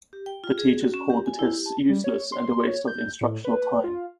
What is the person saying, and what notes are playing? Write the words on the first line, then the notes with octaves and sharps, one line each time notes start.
The teachers called the tests useless and a waste of instructional time.
G4
G5
F4
G#4
F#4
C#4
G4
G#5
E4
G4
A5
G3
C#5
C6
C#5
G6
A2
B4
F4